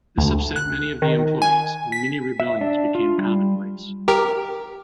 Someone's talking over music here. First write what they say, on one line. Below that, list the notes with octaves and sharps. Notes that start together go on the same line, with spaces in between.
This upset many of the employees, and mini-rebellions became commonplace.
D2
F#6
D#3
G#5
B6
E5
D4
F4
G3
G4 A#4